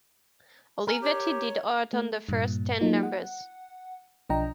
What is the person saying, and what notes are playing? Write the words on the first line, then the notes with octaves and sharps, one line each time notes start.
Olivetti did art on the first ten numbers.
A#4 G#5
G4 C#5
A3
G2 A#2
F#3 A#3 D#4 F4
F#5
B1 F3 D4 D#5 G5 A#5